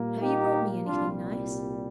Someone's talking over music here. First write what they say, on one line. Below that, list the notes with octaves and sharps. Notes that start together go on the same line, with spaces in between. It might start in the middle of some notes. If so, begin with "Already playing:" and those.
Have you brought me anything nice?'
Already playing: A#2 G3 A#3
D#4 G4
C2 A#2 G3 D4 F4